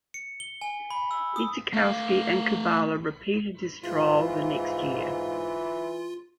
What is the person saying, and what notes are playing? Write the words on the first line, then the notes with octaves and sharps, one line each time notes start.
Idzikowski and Kubala repeated this trial the next year.
C#7
G7
G#5
B5
E6
D#6
A3 F5
G#2 E3 F4 F5